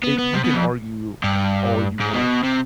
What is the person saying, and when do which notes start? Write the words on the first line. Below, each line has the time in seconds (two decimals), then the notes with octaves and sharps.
i you can argue all you want
0.04 B3
0.19 B3
0.34 C3
0.44 B2
0.53 F2
1.24 G2
2.00 G#2
2.14 B2
2.44 C3